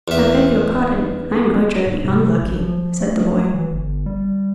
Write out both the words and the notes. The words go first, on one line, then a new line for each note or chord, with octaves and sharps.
"I beg your pardon; I'm Ojo the Unlucky," said the boy.
E2 E5
G#2
C3
A1
F3
A3
E3
G1
G3